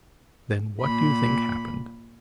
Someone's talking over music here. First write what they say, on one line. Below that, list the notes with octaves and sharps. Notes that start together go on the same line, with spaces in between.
Then what do you think happened?
A#2 B5